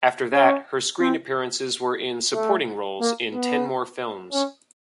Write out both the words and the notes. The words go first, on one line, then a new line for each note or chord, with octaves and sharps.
After that her screen appearances were in supporting roles in ten more films.
C#4
C4
A3
A#3
B3
C#4